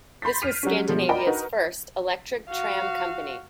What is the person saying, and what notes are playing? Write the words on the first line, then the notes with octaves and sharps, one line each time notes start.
This was Scandinavias first electric tram company.
B5 C6 G6 A6 B6
F6 B6 C7 D7 D#7 F7
F#3 G3 C#4
B2 F3 G3 G#3
A#4 D5 D#5 G5 A#5 B5
D#4 F#4 A#4 B4
F#4 F5